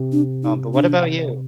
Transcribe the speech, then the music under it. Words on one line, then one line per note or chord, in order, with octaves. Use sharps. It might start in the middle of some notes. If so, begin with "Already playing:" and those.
Um, but what about you?
Already playing: C3
D4
D#4
D4